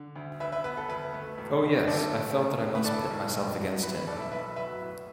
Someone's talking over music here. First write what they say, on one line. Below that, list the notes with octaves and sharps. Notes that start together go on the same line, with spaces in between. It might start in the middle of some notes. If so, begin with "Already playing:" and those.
Oh yes, I felt that I must pit myself against him.
Already playing: D3
D2
D2 B4 E5
B4 E5
B3 B4
A4
D2 B4
A3
E1
D3
D2 A4 D5
A3
E1
D3
B4
A2 A4 D5
B1
B1
F#3
A2 B4
B4
B1 A4 D5
B4 E5
B1 B4 E5
F#3 B4 E5
A2